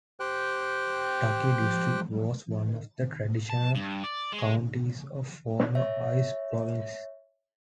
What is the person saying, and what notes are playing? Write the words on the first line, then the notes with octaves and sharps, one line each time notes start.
Taki District was one of the traditional counties of former Ise Province.
G4 C5 G5 F#6
A5
G2
D5
G#3
C#5 E5